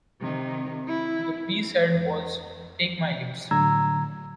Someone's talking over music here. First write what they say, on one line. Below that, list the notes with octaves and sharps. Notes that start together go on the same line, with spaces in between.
The B-side was "Take My Lips".
C3 D#3
E4
F2
A2 D3 F#3 A#5 E6 G#6